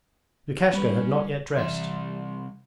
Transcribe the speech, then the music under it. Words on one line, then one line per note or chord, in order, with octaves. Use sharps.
Lukashka had not yet dressed.
G3 C#4 B4 B5
C2 E3 E5 C6